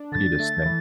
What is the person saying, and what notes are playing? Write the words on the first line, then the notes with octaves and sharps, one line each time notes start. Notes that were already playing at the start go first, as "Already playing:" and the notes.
pretty distinct,
Already playing: D4
D3 A6
A3
E3